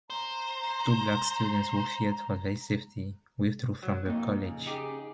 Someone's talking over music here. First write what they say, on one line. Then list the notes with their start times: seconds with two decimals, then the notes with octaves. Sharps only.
Two black students who feared for their safety withdrew from the college.
0.10 C5 A#5
3.83 F#3
4.06 F2 A#3 D#4
4.45 C#3
4.66 D#4 G4 G#4